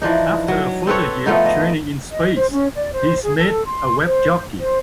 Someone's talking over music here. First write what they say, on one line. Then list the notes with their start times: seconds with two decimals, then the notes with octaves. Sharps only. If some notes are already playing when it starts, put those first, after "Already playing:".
After a further year of training in space he is made a web jockey.
0.02 E3 F3 D4 D#4
0.48 F#3
0.87 C4 A4 B4 C#5
1.26 F3 A3 B3 D#4
1.46 D#5
2.12 D#5
2.36 C5
2.51 C#4
2.75 D5
2.94 C5
3.23 G#4
3.37 A4
3.65 C6
4.05 C5
4.60 C5